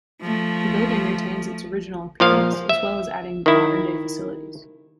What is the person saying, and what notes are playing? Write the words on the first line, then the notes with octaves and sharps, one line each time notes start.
The building retains its original appearance as well as adding modern-day facilities.
F3 A3
A#2 F3 F5
E5
D#3 E4